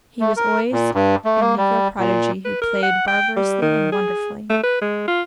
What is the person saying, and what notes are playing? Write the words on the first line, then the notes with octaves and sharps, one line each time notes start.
He was always a negro prodigy who played barbarously and wonderfully.
A3
A#4
A#2
G2
A3
A#3
G3
A#2
B4
A#4
F#5
G5
G3
D#3
G#4
A3
B4
G#3
F4